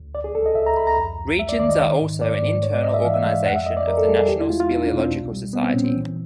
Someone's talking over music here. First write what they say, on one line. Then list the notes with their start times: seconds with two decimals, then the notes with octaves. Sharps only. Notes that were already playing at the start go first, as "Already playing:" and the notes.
Regions are also an internal organization of the National Speleological Society.
Already playing: D2
0.15 C#2 D5
0.24 G#4
0.35 C#2 A4
0.46 D#5
0.55 C#2 E5
0.66 A#5
0.77 C#2 B5
0.87 A#5
0.97 F2
1.18 F2
1.39 G#3 E5
1.49 D5
1.59 D#3 D5
1.69 D#5
1.80 D#3
2.01 G#2
2.21 G#2 D5
2.42 G#2
2.63 G#3 C#5
2.74 D5
2.83 G#2 D#5
2.94 E5
3.05 E3 F5
3.14 E5
3.24 G#3 F5
3.46 F2 F#5
3.56 E5
3.66 F2 D#5
3.77 D5
3.87 F2 A#4
3.98 A4
4.09 G3 G#4
4.19 G#4
4.28 E2 G4
4.39 E4
4.50 G#3 F4
4.60 F4
4.70 E2 D#4
4.84 D4
4.91 B2
4.98 C4
5.11 C2
5.32 G3
5.53 C2 B3
5.64 C4
5.74 A#2 C#4
5.84 C4
5.95 E3